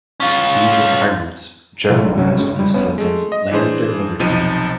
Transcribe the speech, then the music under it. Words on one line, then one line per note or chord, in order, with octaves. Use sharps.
These requirements, generalized in the slogan Land and Liberty!
C#4 F4
B2 F3 G#3 A3
A#1 D3 F#3 A3
A#1 C3 F#3 C#4
D2 C#3 G#3 C#4
C#3 G3
G1 D2 B3 C#4
G#3 A3
D#5
E3 D4 G#4 C5
B1 C3 F3 D#4 D#7